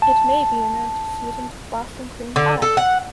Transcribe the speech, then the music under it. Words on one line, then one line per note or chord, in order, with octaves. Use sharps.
It may be an antecedent of Boston cream pie.
A5
D3
A4
F#5